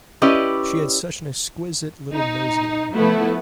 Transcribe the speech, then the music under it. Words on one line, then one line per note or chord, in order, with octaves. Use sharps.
She had such an exquisite little nosegay in her hand.
C#4 E4 G4 B4 D5 D#5
D#4
F3 A3 B3 E4 A4